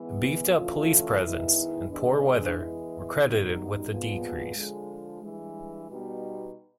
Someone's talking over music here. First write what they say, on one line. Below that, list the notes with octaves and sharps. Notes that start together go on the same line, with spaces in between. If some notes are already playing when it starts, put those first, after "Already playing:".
A beefed-up police presence and poor weather were credited with the decrease.
Already playing: G#2 E3 G#3 B3
E3 A3 C#4 F4
D#3 G#3 B3 E4
D#3 G#3 B3 D4
E3 G#3 B3 E4
F#2 D#3 G3 B3 D#4
A#2 F3 G#3 B3
D3 F3 G#3
G2 E3 G#3
B2 G3 B3 D#4